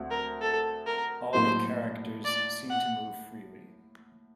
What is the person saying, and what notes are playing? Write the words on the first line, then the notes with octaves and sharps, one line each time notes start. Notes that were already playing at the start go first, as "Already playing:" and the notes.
All the characters seem to move freely.
Already playing: D2 A3 C4
A#4
A4
A#4
A2 F#3 A#3 C5
D5
F#5